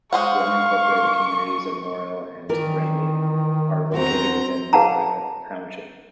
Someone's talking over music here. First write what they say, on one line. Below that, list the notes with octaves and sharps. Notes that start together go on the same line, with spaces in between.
The unincorporated communities of Morrill and Ramey are located within Morrill Township.
G#3 C5 F5 F#5 C#6
D#3 E3 A#4 D5
E2 C4 F#4 A#5
G#4 B4 F5 F#5 A5 A#5